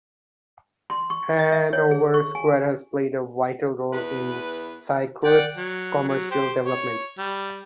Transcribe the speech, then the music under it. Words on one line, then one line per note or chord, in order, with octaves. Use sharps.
Hanover Square has played a vital role in Syracuse's commercial development.
C6
C#6
D#5
E5
C#5
G#4
C#6
G#5
E2 B4
D5 F#5 G5
F#3
F#3
G4 C5
C#5
G3